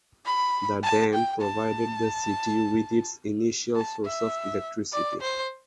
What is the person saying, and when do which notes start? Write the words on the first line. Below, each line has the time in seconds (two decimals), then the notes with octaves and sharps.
The dam provided the city with its initial source of electricity.
0.25 B5
0.83 A5
1.13 G5
1.41 A5
3.76 A5
4.05 E5
4.93 D5
5.21 C5